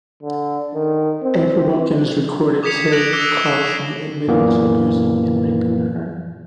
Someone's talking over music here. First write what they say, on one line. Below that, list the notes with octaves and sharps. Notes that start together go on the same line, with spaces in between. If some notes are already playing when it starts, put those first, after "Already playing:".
April Wilkens recorded Terry Carlton admitting to abusing and raping her.
D3
D#3
C4
D6 D#6 G#6 B6 C#7 F7
F#6 A#6 D7 F7 F#7
D6 E6 F#6 C7 G7
F#6 C7 E7
F#2 A#2 E3 A#3 B3